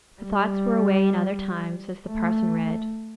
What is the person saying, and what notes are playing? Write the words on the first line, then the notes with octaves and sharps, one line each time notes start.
Her thoughts were away in other times as the parson read.
G3
A3